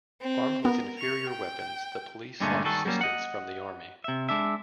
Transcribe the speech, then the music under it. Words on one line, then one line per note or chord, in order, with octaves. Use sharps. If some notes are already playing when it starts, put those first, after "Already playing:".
Armed with inferior weapons, the police sought assistance from the army.
C4
B3 A#4
C#6 F7
G5
G2 A#2 D3 G#3 A3 C#4
D#3 G3 F#4 G#4 A4
F#3 G3 A#3 C#4
D#5 F#5
C3 E5
G#3 D4 E5